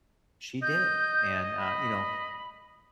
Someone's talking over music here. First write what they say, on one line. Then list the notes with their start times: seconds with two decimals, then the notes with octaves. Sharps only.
she did, and, uh, you know,
0.62 D#5 G6
1.58 B5